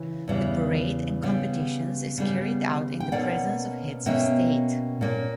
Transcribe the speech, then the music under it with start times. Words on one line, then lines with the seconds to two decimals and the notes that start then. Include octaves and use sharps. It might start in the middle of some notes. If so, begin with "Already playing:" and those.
The parade and competitions is carried out in the presence of heads of state.
Already playing: C#3 E3
0.28 E2 C#3 E3 G3
1.23 C#3 G3 B3
2.18 C#3 G3 B3
3.00 G5
3.12 B2 A#3 C#4 D5 F#5
4.06 B2 A#3 C#4 E5 G5
5.01 A#2 A#3 C#4